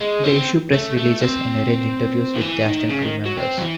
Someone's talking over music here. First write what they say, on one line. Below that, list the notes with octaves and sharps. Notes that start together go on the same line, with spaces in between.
They issue press releases and arrange interviews with cast and crew members.
G#3
C4
A3
A3
C4
D#3
E3
D#3
C#3
D#3
F#3
C4
F#3
E3